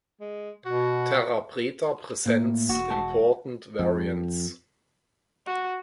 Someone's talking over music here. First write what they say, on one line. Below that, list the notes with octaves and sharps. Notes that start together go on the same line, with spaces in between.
Terra preta presents important variants.
G#3
B2 F#4
A2 A#3
E1 F#4
G#3 A5
F2
F#4